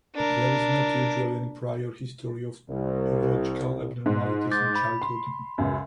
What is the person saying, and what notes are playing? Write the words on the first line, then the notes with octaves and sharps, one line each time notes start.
There is not usually any prior history of urological abnormalities in childhood.
D4 A#4
C2
G#2
D6 G6 A6
B5
C6
C#2 F#2